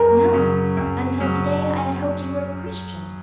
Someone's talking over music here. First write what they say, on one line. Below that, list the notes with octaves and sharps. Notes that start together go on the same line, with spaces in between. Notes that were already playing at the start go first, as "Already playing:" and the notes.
"No, until to-day I had hoped you were a Christian."
Already playing: F#2 A#4 A#5
C#3 F#3 C#4
F#2
C#3 F#3 C#4